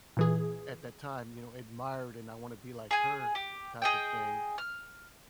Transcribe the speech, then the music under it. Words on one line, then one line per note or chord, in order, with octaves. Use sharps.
at that time, you know, admired and "I wanna be like her" type of thing.
A#2 E3 G#4
G#4 G#5
G4
G#4 D#5 G5
F6